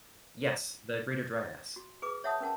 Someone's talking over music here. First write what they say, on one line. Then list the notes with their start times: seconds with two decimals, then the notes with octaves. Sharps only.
Yes, the Greater Dryas.
1.76 F#4
2.02 G#4 B4 D6
2.24 C#5 E5 F#5 A5 D#6
2.40 C#4 A#4 F#5 A5